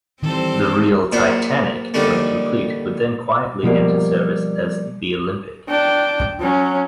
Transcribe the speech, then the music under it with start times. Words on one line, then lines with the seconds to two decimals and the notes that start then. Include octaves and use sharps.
The real "Titanic" when complete would then quietly enter service as the "Olympic".
0.23 D#3 E3 G3 C4 A4 C5
1.12 A#1 A#2 F#3 C5
1.94 D#2 D3 G3 A3
3.63 B2 F3 G3 A#3
5.68 D4 G5
6.40 F#3 C#4